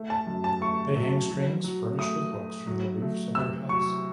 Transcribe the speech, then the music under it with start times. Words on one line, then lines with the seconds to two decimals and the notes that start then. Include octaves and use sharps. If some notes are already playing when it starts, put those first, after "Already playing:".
They hang strings furnished with hooks from the roofs of their huts.
Already playing: A3
0.10 A5
0.27 F#2
0.44 A5
0.61 A3 C#6
0.96 F#3
1.30 F#3
1.64 F#3
1.98 A3 D#6
2.32 A3
2.67 F#3
3.02 A3
3.35 C3 E6
3.69 F#3 C#6